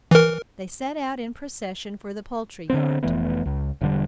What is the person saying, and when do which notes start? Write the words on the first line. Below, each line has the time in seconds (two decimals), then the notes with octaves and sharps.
They set out in procession for the poultry-yard.
0.11 E3 A#4
2.70 D3 D#3 B3 C4
3.03 F1 E3 A3 B3
3.46 C#2
3.81 E1 D3 G3